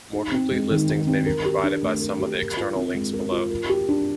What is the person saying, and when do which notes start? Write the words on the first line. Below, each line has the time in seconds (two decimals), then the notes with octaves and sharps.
More complete listings may be provided by some of the external links below.
0.13 D#4
0.32 C4
0.51 G#3
0.70 D#3
0.89 D#4
1.07 C4
1.26 A#4
1.45 G4
1.63 D4
1.83 A3
2.02 A#4
2.20 G4
2.39 A#4
2.57 F4
2.76 C4
2.94 G#3
3.13 A#4
3.32 F4
3.50 A#4
3.69 G4
3.89 D4